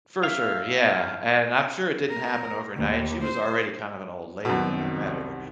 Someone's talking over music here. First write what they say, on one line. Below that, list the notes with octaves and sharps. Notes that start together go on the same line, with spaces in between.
For sure, yeah, and I'm sure it didn't happen overnight, she was already kind of an old lady when I met her,
E5 F5
A#4
D#2
C5
C2 F#2 B2 D#3